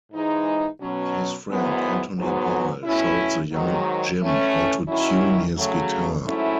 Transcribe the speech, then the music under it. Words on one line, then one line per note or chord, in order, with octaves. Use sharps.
His friend Anthony Boyle showed the young Jim how to tune his guitar.
G#2 E3 G#3 D#4
B2 F#3 C#4
G#2 D#3 F#3 B3 E4
G#2 F#3 B3
B2 A3 C#4 E4
G#2 D#3 F#3
A2 E3 A3 C#4
F#2 D#3 F#3 C#4 E4
C#3 F#3 A3
G#2 F#3 A3 C#4 E4